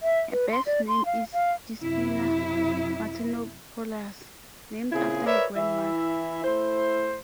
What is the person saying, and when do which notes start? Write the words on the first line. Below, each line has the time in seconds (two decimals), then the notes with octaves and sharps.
Her birth name is Despina Matenopoulos, named after her grandmother.
0.01 E5
0.32 B4
0.52 C6
0.66 D5
0.88 C6
1.06 F5
1.33 F5
1.79 F#2 C3 E4
4.92 A#2 C#3 C4 E4 G#4
5.25 A#4 B4 C#5 D5 E5
5.56 E3 E4 E5
6.44 A3 E4 C5